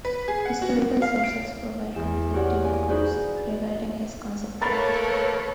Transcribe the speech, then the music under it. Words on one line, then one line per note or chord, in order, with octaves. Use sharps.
Historical sources provide conflicting accounts regarding his cause of death.
B4
G#4
F#5
F#4
A#3
F5
D7
E2 E7
F#4 G4 A#4 C#5 D5 F#5
A#3 G#5
D#4 F#4 G#4 B4 C5 D5
A6
A3 A#3 A4 B4 C#5 A#5 B5 A6